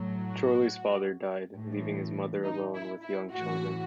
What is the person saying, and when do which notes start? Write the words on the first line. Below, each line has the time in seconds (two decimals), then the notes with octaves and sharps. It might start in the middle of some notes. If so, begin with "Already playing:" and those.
Chorley's father died, leaving his mother alone with young children.
Already playing: A2 F#3
0.26 F#4
1.57 A2 E3
2.44 D#4
2.74 E4
3.03 E4
3.32 A2 E3 F#4